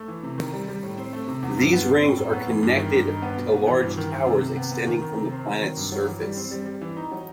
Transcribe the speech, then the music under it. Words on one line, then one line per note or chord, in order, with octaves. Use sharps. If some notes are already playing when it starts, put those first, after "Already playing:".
These rings are connected to large towers extending from the planets surface.
Already playing: A3
E3
C3
D#3
G3
G3
A2
C4
A3
C3
E2
G2
B3
C4
A2
F#2
B3
E3
G2
D#3
G2
D#4
B3
B2
B2
E3
G2
D#3
D#3
C3
C3
B3
B3
D#3
D#3
C3
C4
F#3
D#3
G2
F#3
E3
G3
C4
G3
G3
E3
D#4
F#3